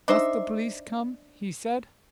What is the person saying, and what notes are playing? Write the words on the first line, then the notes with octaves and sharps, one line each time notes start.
"Must the police come?" he said.
D4 D#4 C5 E5